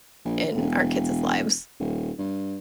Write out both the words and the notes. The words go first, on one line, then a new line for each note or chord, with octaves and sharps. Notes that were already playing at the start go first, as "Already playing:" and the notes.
in our kids' lives.
A#1
E1
D#1
G2